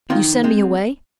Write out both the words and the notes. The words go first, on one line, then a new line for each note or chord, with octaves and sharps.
"You send me away?"
F2 D#3 C4 F4
G#3 C4